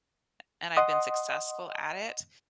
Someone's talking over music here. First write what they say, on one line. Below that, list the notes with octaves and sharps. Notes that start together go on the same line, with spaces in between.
a and I've been successful at it,
D#5 F#5 C6 D#6